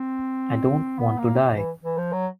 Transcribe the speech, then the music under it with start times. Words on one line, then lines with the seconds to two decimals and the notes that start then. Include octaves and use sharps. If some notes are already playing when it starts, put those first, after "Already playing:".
I don't want to die.
Already playing: C4
0.99 B3
1.18 A#3
1.55 E3
1.84 E3
1.98 F3
2.12 F#3